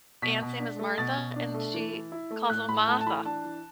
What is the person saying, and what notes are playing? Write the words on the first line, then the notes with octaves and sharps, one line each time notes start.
aunt's name is Martha, and she calls her Martha.
B2 B6
B2
D4
A3
B2 A6
B2
D4
A3
E3
E3
E4
A3
A2 F#6
A2 B5
A3 A5
A5
E3 B5
D4 A5
E3